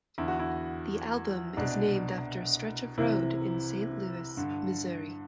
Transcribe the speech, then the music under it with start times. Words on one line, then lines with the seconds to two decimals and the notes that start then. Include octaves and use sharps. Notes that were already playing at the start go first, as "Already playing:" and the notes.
The album is named after a stretch of road in Saint Louis, Missouri.
0.18 E2 D3 E4
0.28 F#4
0.40 E4
1.57 C2 B2 D4
2.98 C2 C3 E3 E4
4.37 G2 D3